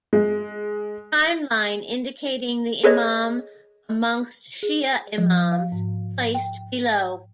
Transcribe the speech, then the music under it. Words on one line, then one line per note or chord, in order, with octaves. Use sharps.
Time line indicating the Imam amongst Shia Imams placed below.
G#3
G#4 A4 B4 C#5 D#5
G#4
F3
F5
G#2
G5